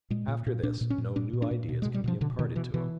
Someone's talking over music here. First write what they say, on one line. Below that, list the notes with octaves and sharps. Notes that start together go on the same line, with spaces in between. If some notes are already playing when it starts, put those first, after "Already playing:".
After this, no new ideas can be imparted to him.
A#2 G#3
A#2
A#2
A#2 D4
A#2
C#4
A#2
A#2 D4
A#2
D4
A#2
B2
G#3
B2
G3
B2 F3
B2 D3
B2 D#3
B2 E3
B2 E3